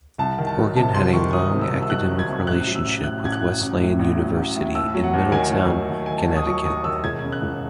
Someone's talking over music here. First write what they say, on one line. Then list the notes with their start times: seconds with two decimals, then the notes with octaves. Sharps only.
Horgan had a long academic relationship with Wesleyan University in Middletown, Connecticut.
0.18 C2 A5
0.38 D#3
0.47 A5
0.57 F#3
0.76 C3 A5
0.94 C2 C6
1.13 D#3 C#6
1.33 F#3 D#6
1.52 C3
1.61 E6
1.71 C2
1.83 E6
1.90 D#3 F#6
2.09 F#3
2.19 G#6
2.28 C3
2.47 A1 F#6
2.66 F#3
2.75 E6
2.85 A1
3.04 A2 F#6
3.23 A1 G#6
3.32 F#6
3.42 F#3
3.61 A1
3.80 A2
3.99 A1
4.18 F#3
4.37 A1
4.56 A2
4.75 D#2 E6
4.95 F#3
5.04 F#5
5.14 D#2
5.32 D#3 G#5
5.51 D#2
5.70 F#3
5.89 D#2
6.06 D#3 G#5
6.18 A5
6.28 D#2
6.36 D#6
6.47 F#3 C#6
6.65 D#2 D#6
6.84 D#3 E6
7.04 E1 G#6
7.23 C#3
7.32 F#6
7.42 E1